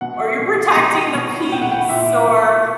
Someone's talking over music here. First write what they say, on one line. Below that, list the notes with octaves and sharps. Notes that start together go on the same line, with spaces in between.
Or you're protecting the peace or
B2 F#5
B2
B2 G5
B2
C#6
B5
A#2 G5
F#5
G5
B5
A#2 E5
B2